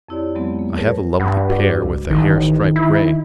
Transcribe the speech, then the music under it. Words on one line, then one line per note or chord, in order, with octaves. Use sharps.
I have a lovely pair with a hair stripe, grey.
F2 C4 E4 G4 C#5 D5
F2 F#3 G#3 B3 C4
A#3
G#4 A#4 B4 C#5 A5
G2 F#5 B5
F#4 D5
C#2
A1 D#3 D#4
E4